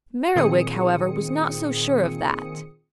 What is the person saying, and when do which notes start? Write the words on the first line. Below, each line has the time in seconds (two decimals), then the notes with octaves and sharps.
Merriwig, however, was not so sure of that.
0.36 A#2 D#3 C4 G#4 D#6 C#7